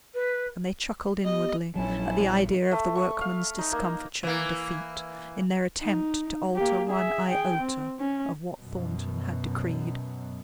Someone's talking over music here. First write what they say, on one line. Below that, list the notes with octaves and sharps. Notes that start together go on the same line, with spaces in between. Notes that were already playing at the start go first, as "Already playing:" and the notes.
And they chuckled inwardly at the idea of the workmen's discomfiture and defeat, in their attempt to alter one iota of what Thornton had decreed.
B4
B3 G4 D#5
A#1 F#3 C#4 E4 A5
A3
C#6
F5
D#4
A#3
E3 A#3
D#4
A#3 G4
G#4 E5
G#4 G5
C4
C#4
F#2 B2